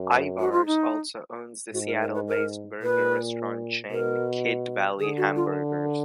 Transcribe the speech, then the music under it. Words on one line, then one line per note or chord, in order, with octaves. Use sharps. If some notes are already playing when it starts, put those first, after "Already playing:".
Ivar's also owns the Seattle-based burger restaurant chain Kidd Valley Hamburgers.
Already playing: F#2
F#4
F4
D#4
G#2 F#4
A#4
A#4
B4
A#4
A#2 B4
B2 A#4
D3 G#4
F#4
F4